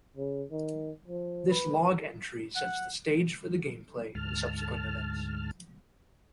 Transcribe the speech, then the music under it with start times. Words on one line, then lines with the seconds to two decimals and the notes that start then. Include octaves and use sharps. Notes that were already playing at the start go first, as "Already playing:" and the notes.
This log entry sets the stage for the game play and subsequent events.
0.17 C#3
0.51 D#3
1.08 F3
1.49 B4
2.56 F#5
4.15 D2 G#2 A5 F6